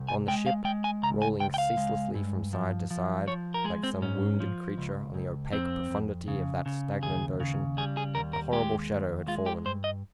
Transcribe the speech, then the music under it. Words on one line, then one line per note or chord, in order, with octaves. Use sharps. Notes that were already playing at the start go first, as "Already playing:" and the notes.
On the ship--rolling ceaselessly from side to side, like some wounded creature, on the opaque profundity of that stagnant ocean--a horrible shadow had fallen.
Already playing: C2
G#5
G#3 G5
F5
G#3 G5
G#5
C#2 A#5
G#5
C#2 G5
G5
F5
G#3
G2
F3
F3
F3 C#5
A#4
G#3 G#4
C4
G#2 C#4
F3
C#2
C#2
F2 C4
F2
C#3
C#3
D#2 G#4
C#3
G3 G#4
G#4
D#2 A#4
A#4
G#3 G4
D#2
G#3 F4
G4
G2 C5
D#5